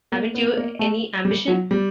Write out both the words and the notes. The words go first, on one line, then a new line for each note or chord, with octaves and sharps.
Haven't you any ambition?
A#3
B3
A#3
A3
G3
F#3
G3